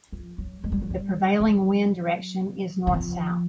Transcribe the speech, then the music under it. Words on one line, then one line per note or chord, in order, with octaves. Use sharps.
The prevailing wind direction is North-South.
F3
F#3
G#3
G3
F#3
G3
F#3
E3
F3